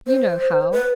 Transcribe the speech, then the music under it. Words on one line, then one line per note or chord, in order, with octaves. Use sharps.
You know how!'
C5
B4